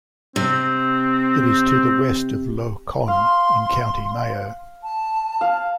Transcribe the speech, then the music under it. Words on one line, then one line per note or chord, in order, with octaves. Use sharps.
It is to the west of Lough Conn in County Mayo.
C3 C4
F5 C6
A5
F5